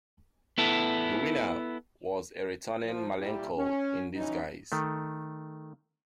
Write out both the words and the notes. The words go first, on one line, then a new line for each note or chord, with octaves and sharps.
The winner was a returning Malenko in disguise.
B3 E4 A4
F3
A#2 G3 E4 G4
C#4
G2 A#2 E3 F#3 C#4 D#4
D#3 A3